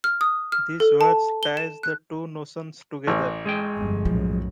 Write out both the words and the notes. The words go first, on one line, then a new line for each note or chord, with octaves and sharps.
This verse ties the two notions together.
F6
D#6
F6
A4
A5
G7
E7
F#6
A1
G#3 G#4 G5
G1 F2
B1 F#2 A2 F3